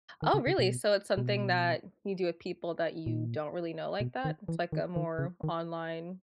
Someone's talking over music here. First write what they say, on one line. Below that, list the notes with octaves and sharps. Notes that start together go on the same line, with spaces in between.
Oh, really? So, it's something that you do with people that you don't really know like that? It's like a more online
D#3
C#3
C#3
B2
B2
A#2
B2
D#3
E3
D#3
D#3
C#3
D#3